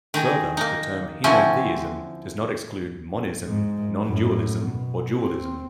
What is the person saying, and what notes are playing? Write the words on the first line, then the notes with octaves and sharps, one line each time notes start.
Further, the term henotheism does not exclude monism, nondualism or dualism.
D#3 D#4 G#4
A#3 D#4
D3 F3 C4 C#4 E4
G#2
F#2 A2
B2
C4